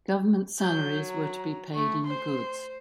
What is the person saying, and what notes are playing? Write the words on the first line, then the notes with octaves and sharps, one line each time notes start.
Government salaries were to be paid in goods.
F#3 G6
A#5
A3 C#6
C5 C6